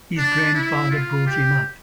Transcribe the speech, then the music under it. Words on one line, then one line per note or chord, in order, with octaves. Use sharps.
His grandfather brought him up.
D4
E4
F4
G4